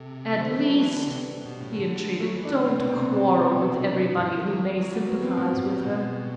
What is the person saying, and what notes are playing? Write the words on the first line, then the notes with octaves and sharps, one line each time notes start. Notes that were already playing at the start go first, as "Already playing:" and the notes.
At least," he entreated, "don't quarrel with everybody who may sympathize with her.
Already playing: C3 A4
E3
D3 C5
E3 A4
F#3 D4
E3 G3
D3
C3 B3
G3
B2
A2
A3
D3 G3
F#3 A3
E3
D4
D3
B3
C3 C4
B2
C4
C3
B2 C4
D3
B3
C3
B2
C3
D4
C3
B2 E4
G2
F#4
D3 A4
F#3 G4
F#3
G3 F#4
F#3 B3
E3 C4
A2 F#4
G2
A2
B2